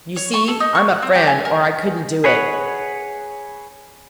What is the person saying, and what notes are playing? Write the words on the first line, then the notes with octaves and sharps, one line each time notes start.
You see I'm a friend, or I couldn't do it.
C#5
C#6
A4
D#4
C#6
F#5
C4
G4
G#5
A#4
G#4 B4 C#5 F#5